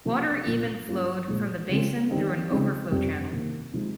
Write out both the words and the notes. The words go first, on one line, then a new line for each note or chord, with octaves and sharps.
Water even flowed from the basin through an overflow channel.
C3 F3 A#3
A#2 F3 A#3 F4
G2 G3 C#4 F4
A#2 F3 G#3
C#3 F3 G#3 C4
D#3 G3 C4 D#4
C#3 F3 G#3 C4 D#4
F2 C3 G3 C4
C3 D#3 A#3
C3 F3 G#3 D#4